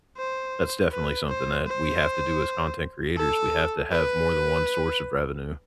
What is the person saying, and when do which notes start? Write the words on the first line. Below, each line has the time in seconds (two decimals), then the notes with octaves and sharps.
that's definitely something that we have to do as content creators. We have to have more than one source of revenue.
0.17 C5
0.92 B4
1.29 C5
1.67 C5
3.17 A4
3.92 B4